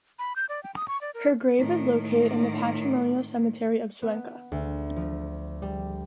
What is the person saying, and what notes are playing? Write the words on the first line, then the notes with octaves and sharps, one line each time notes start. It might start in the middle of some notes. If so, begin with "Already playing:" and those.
Her grave is located in the Patrimonial Cemetery of Cuenca.
B5
G6
D5
G5
D#6
C#6
D5
A#4
A2 D#3
B3
D2
F3
G3